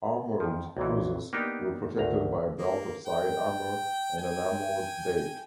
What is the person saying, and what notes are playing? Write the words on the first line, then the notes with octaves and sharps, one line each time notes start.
Armoured cruisers were protected by a belt of side armour and an armoured deck.
F2 F3
B1 A#2 E3
A#3 B3 D4 D#4 G4
G#1 D2 A#5
A#3
G5
G5 G#5